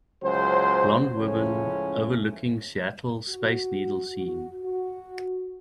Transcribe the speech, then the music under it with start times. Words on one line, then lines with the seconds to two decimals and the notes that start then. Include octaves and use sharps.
Blond woman overlooking Seattle Space Needle scene.
0.23 C#2 F#3 C5
1.17 C#2 A2 F3 C#4
3.29 F#4
4.15 F#4
4.65 F#4